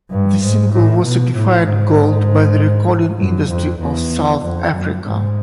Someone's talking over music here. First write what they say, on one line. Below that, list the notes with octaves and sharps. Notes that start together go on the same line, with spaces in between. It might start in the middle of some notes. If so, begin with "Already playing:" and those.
The single was certified Gold by the Recording Industry of South Africa.
G2
G#2
A2
B2
A2
G#2
F#2
F2
E2
F2
F#2
G#2